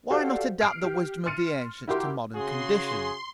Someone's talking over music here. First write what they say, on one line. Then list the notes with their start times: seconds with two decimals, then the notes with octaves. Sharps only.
Why not adapt the wisdom of the ancients to modern conditions?
0.10 F#4 G4 A4 C5 D5 F5
0.61 F6 C7 D7
0.83 G4
1.26 C6 F6 A6 C#7 D#7
1.88 E4 F#4 G4 A#4 C6 D6
2.35 C#3 F#4 G#4 C6